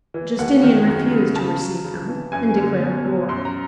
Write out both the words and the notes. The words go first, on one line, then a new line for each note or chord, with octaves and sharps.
Justinian refused to receive them, and declared war.
E3
D#2 F#5
D#3
F#2
C#3
C#3 A5
F#3
C#3
E3
F#2 G#5
D3
B2
F#3
F#2 C6
A#5